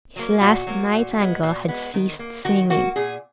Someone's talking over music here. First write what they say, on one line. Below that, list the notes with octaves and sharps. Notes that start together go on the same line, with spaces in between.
His last nightingale had ceased singing.
F#3 A#3
A#2 F#4
F#3 A#3
A#2
G#3 B3
A#2
G#3 B3
D#3
A#3
D#3 F#4
A#3 F#4
A#2 G#4